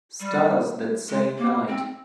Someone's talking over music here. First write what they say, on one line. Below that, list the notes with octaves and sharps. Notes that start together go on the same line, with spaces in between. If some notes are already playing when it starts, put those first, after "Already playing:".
Styles that same night.
G3
G#3
A#3
C4